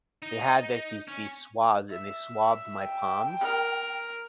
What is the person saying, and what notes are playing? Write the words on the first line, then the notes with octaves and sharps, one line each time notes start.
they had, like, these these swabs, and they swabbed my palms,
D#4
C#4
E5
G5
A#4